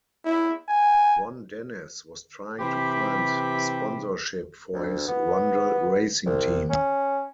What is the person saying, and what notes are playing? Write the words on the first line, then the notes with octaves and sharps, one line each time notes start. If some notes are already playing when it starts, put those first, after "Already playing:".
Ron Dennis was trying to find sponsorship for his Rondel racing team.
E4
G#5
C3 E3 G4 B5
D2
B3
C2
C#4